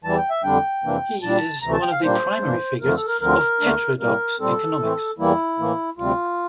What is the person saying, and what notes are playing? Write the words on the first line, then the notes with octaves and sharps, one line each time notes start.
He is one of the primary figures of heterodox economics.
E2 E3 G3 A5
G5
E5
F2 D3 G3 D4 G5
F2 C3 E3 A#3 D4
A#2 G3 D4 A5
D2 C3 E3 A3 A#5
A5
G5
F5
A#2 G3 A#3 D4 C5
G2 E3 A#3 D4
F2 D3 F3 A3 A#4
A4
A#4
D2 D3 F3 C4 A#4
D2 D3 A3 D4
A2 G3 A#3 A#4
A#2 G3 C4 A4
A2 E3 A3 C4
E2 E3 G3 A#3 E4
A2 E3 A#3
D2 C3 G3 C4 F4